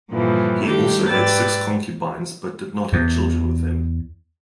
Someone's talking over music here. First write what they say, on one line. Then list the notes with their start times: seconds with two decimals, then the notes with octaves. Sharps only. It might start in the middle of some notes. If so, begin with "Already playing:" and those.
He also had six concubines but did not have children with them.
0.11 G2 A#2 D3 E3 F3 G3
0.62 D#3 G3 A3 D4 G4
1.09 G#2 G4 B4 D5 E6 A6
2.93 E2